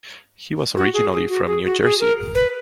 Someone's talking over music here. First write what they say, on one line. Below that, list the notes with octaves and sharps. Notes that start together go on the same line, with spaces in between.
He was originally from New Jersey.
F#4
G#4
G#4
F#4
G#4
F#4
G#4
A#4
B4